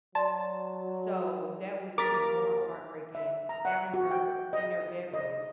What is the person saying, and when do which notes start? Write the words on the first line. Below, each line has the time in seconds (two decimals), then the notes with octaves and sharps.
so that was even more heartbreaking, found her in their bedroom.
0.15 F#3 D5 A5 C6
1.98 D#2 A#4 A#5 D6 A6 B6
3.15 E5
3.49 A#5
3.65 F#5
3.94 F#4
4.11 G5
4.53 D#5
5.14 D#5